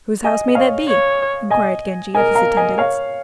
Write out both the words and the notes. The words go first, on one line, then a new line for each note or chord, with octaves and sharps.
"Whose house may that be?" inquired Genji of his attendants.
D#5 G#5
D#5
C#5 F5
C#5
D#5 G#5
A#4 D#5 G#5
F5 A#5
D#5 G#5
C#5 F5